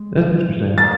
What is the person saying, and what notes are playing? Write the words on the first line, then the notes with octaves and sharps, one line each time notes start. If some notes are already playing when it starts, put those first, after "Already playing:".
That's interesting.
Already playing: G#3
A6